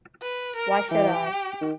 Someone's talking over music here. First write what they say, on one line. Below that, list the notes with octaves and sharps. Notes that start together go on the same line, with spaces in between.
Why should I?
B4
A#4
E3 G4
D#3